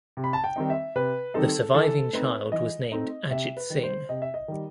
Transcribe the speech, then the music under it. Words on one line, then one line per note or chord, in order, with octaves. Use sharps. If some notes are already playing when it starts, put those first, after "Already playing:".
The surviving child was named Ajit Singh.
C3
B5
A5
G5
D#3 G3 C4 D#4
E5
C3 B4
D#3 G3 C4 D#4 A4
E3 A4
A3 C4 D#4 B4
E3 D#5
A3 C4 D#4
C3 E5
B4
D#3 G3
C5
C3 D#5
E5
D#5
D#3 G3